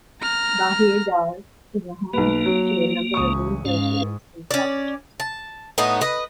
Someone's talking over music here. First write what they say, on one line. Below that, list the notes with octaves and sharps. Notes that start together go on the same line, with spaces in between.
Bahir Dar is home to a number of universities and colleges.
A#5 F6
B1 A#3 B4
F#3
C#2 E3 C#6 D#6
G#2 G#3 C#4 F5
C#4 D5
A5
A2 B3 D#4
B4 D#5